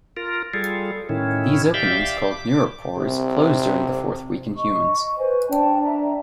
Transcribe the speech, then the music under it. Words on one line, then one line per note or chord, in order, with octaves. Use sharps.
These openings, called neuropores, close during the fourth week in humans.
F4 A#4
G3 F4 G#4 A4
A2 D#3 C#4 E4
G4 D5 E5 F5 G6
D6
C3
D#5 C#6
B4 C5 G#5
D4 G5 A5
E5 A#5